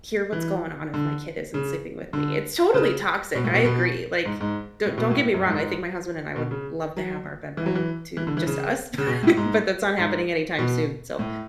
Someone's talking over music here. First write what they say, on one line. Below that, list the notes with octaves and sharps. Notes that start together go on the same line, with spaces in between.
hear what's going on if my kid isn't sleeping with me, it's totally toxic, I agree, like, don't don't get me wrong, I think my husband and I would love to have our bed back to just us, but but that's not happening anytime soon, so,
E3
D3
C#3
D3
C#3
B2
A2
B2
B2
G#2
G#2
A2
B2
A2
F#2
G#2
B2
C#3
F#3
E3
F#3
E3
E3
D3
E3
C#3
C#3
B2
A2
G#2
G#2
B2
A2